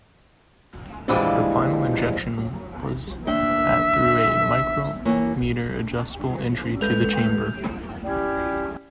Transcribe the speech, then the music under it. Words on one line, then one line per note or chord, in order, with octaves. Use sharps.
The final injection was at through a micrometer-adjustable entry to the chamber.
A#2 D3 E3 F3 G3 G#3
D#2 D4 E5 G5
E3 A#3 C#5
G#3 A4 B4 G6 F7
G3 C#4 E4 G4